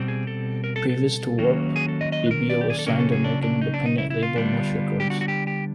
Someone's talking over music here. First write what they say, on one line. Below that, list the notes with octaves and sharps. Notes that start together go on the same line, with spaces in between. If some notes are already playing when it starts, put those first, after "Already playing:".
Previous to Warp, Bibio was signed to American independent label Mush Records.
Already playing: B2 G3 C4
G#4
A4
A#4
A4
A4
D#3 F#3 A#3 C#4
G#4
A4
D#5
D#5
B4
A#4
D5
G4
G#4
A4
C#3 F#3 A#3 C#4 A#4
A4
G#4
D4
D4
D#4
D4
D#4
E4
E4
F4
D3 G3 B3 D4
G4
F#4
F#4
G4
G4